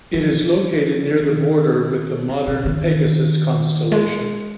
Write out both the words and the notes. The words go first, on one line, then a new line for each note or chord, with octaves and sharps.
It is located near the border with the modern Pegasus constellation.
F3
D#3
C3
C3
D#3
G#3